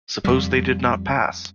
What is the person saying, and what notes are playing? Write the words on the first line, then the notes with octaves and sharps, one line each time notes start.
Suppose they did not pass!
F2 G3